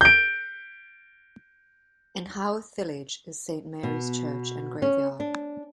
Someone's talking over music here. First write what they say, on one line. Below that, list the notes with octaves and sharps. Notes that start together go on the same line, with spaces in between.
In Howth village is Saint Mary's Church and graveyard.
G6 D7
B2
C#4
D4